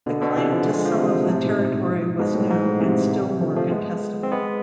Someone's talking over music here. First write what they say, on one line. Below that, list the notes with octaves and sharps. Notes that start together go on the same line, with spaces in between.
The claim to some of the territory was new and still more contestable.
B2 D3
B2 D3
C3 E3
D3 F3
G#3
F3
C3 E3
A2 C3
G#2 B2
G#2 B2
A2
G#2
A2
C3 E3
D3 F3
F3 A3
G#3 B3
C4
G#3 B3